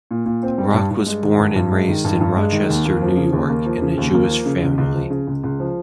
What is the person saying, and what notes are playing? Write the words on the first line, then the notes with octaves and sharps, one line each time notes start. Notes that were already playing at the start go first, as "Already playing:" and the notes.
Rock was born and raised in Rochester, New York, in a Jewish family.
A#2
A#2
C4
G3
G2
G2
G#3
D#3
G2
G2
G#3
D#3
G2
G2
G#3
D#3
D#2
A#3
F3
C#3
D#2
A#3
F3
C#3
D#2
A#3
F3
C#3
C#2
C#2
F3
C#3
C#2
C#2
F3